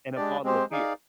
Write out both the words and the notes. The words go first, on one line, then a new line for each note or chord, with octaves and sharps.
and a bottle of beer.
G#3 D4 G4 D5
G#3 C4 G4 C5
D#4 G#4 D5 F5